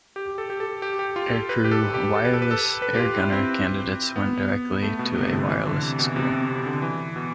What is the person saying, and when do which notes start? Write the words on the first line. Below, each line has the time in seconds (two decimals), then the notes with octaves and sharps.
Aircrew "Wireless Air Gunner" candidates went directly to a Wireless School.
0.16 G4
0.38 A4
0.50 G4
0.60 A4
0.82 G4
0.99 G4
1.16 F4
1.32 A4
1.49 B4
1.64 G4
1.71 A4
1.94 G4
2.16 A4
2.25 B4
2.33 A4
2.42 B4
2.51 A4
2.82 B4
2.95 G4
2.99 F4
3.16 E4
3.32 C4
4.16 B3
4.82 A3
4.99 B2
5.16 C3
5.32 D3
5.49 E3
5.66 D3
5.82 C3
5.99 B2
6.16 C3
6.32 C3
6.49 C3
6.66 D3
6.82 E3
7.16 B2